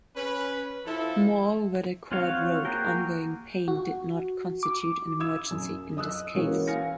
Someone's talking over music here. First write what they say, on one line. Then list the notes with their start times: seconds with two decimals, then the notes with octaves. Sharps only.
Moreover, the Court wrote, ongoing pain did not constitute an emergency in this case.
0.16 C#4 B4
0.85 F3 E4 A4
2.12 C4 F4 F#4 C#5 F5
2.65 A#3 F#4 G#4 A#4 G5
3.68 F#4
4.63 D6
5.20 D#6 E6 G#6 E7
5.51 F#2
5.97 D#5 D#6 E6 F#6
6.35 E3 G#3 A#3 C#4 F#4 C#5
6.67 F5 G#5 F6 A#6 C#7